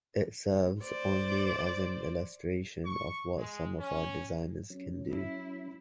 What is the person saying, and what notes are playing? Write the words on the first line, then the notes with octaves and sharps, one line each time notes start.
It serves only as an illustration of what some of our designers can do.
C5 D5
C#6
G#3
C#4
F#3 C#4
E4